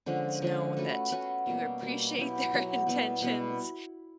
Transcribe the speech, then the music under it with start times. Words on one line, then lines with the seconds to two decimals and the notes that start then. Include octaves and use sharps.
know that you appreciate their intentions,
0.06 D3 F3 G#3 C#4
0.42 D3 F3 G#3 C#4
0.77 A3 C#4 F#4 B4
1.11 A3 C#4 F#4 B4
1.46 B2 G3 A#3
1.82 B2 G3 A#3
2.17 F#3 B3 E4 G4
2.51 F#3 B3 E4 G4
2.86 B2 G3 B3 E4
3.22 B2 G3 B3 E4